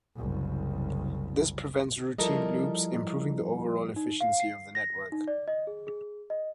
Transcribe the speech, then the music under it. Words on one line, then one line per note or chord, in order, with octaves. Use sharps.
This prevents routing loops, improving the overall efficiency of the network.
F#1 C2
F3 G3 E4 A4 A#4 D#5
D#4
F5
C7
A#6
D#4
D5
D#5
G#4
G#4
D#5